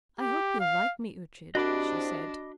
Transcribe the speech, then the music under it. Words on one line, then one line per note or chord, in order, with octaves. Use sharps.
"I hope you'll like me, Ughtred," she said.
G4
F5
C2 D4 F#4 D#5 B5 D6